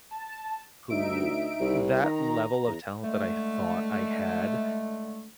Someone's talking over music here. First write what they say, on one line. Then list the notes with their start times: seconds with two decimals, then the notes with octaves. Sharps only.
who that level of talent that I thought I had
0.11 A5
0.90 D2 D#4 E5 D7
1.60 C2
2.03 D#3 A#5
2.67 E2
3.04 D3 G#3 A3